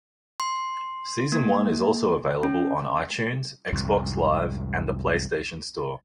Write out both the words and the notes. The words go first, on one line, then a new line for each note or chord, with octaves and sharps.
Season one is also available on iTunes, Xbox Live, and the PlayStation Store.
C6
A#3
C#4
C2 F2 G#2